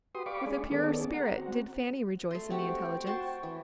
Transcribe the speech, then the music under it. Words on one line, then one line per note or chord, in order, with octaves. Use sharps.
With a purer spirit did Fanny rejoice in the intelligence.
F#4 G4 B4 C6 D#6
G4 D5 F5 B5 C#6 D6
G#3 C#4 D4 G#4
D#3 B3 C#4 G#4 A4 D5
F#5 A#5
C4 F#4
A3 C6
C4 F#4 G4 C5 G5 C#6
F#4 A5 C6
E3